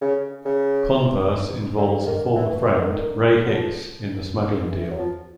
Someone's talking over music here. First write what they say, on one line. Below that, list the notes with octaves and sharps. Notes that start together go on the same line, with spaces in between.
Converse involves a former friend, Ray Hicks, in the smuggling deal.
C#3
C#3
D3
D#3
E3
E3
D#3
D3
D#3
F#3
F3
E3
F#3
F3